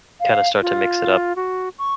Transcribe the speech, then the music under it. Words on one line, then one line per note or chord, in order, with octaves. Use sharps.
kinda start to mix it up.
F5
F4
F#4
C#6